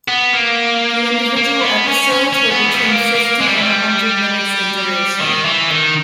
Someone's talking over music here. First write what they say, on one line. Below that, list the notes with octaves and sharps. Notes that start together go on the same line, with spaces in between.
The individual episodes were between fifty and a hundred minutes in duration.
B3
A#3
A#3
B3
C#4
C#4
C#4
B3
E3
G3
G#3
A#3
A#3
G#3
G3
E3
G3
D#3
E3
D#3